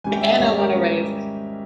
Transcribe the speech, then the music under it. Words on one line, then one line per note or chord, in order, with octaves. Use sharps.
A and I wanna raise.
G#1 G#2 G3 C#4 G#5
G5
E5
D#5
G#1 G#2 G3 C#4 C#5
A#4
G3 C#4